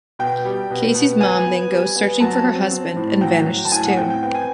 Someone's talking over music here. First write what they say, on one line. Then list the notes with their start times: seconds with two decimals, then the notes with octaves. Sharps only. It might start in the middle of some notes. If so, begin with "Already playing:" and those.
Casey's mom then goes searching for her husband and vanishes, too.
0.19 B2 G5
0.45 G3
0.71 B2
0.95 B2
1.20 B3 G#5
1.46 B3
1.70 G3
1.96 B3
2.20 F#3 A5
2.46 C4
2.71 C4
2.96 A2
3.21 F#3 G5
3.46 F#3
3.65 A5
3.72 A2 G#5
3.85 F#5
3.97 C4 G5
4.10 G5
4.22 B3 G5
4.34 G#5